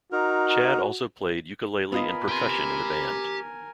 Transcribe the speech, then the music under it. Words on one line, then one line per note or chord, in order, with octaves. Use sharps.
Chad also played ukulele and percussion in the band.
D#4 F#4 A#4
B3 F4 A#4 D#5 G#5 B5
G4 C6